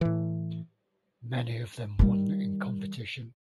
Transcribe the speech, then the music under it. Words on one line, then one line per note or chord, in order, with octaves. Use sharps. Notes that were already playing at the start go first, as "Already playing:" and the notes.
Many of them won in competition.
A2 E3
D#3 G3